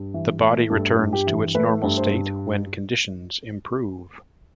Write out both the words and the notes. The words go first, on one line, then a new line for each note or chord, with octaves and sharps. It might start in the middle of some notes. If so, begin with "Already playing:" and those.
The body returns to its normal state when conditions improve.
Already playing: G2
E3
A3
G2 A4
G2
G4
E3
A3 B4
G2
C5
G2